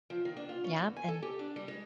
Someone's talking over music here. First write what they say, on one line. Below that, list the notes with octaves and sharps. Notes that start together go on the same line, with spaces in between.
Yeah, and
F3
D#3
D4
F4
C#4
E2
G#5
A4
G4
D4
G3
G#3